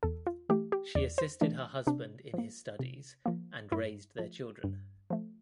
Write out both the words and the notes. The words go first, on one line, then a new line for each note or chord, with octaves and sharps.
She assisted her husband in his studies and raised their children.
E2 A4
F4
E3 A3 G4
G4
E2 D5
C5
E3 A3 D4
C3 D4
F3 A#3
C3
F3 A#3
G2 E4
F3 A3
G2
F3 A3